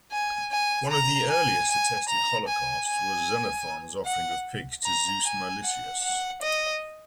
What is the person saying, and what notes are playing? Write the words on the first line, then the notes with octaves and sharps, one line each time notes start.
One of the earliest attested holocausts was Xenophon's offering of pigs to Zeus Meilichius.
G#5
G#5
A#5
G#5
G#5
A#5
G#5
G#5
F#5
A#5
G#5
F#5
F#5
D#5